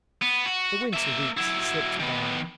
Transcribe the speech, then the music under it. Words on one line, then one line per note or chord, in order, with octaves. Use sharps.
The winter weeks slipped by.
B3
F#4
A#3 E5
F#3 E4
D#3 B3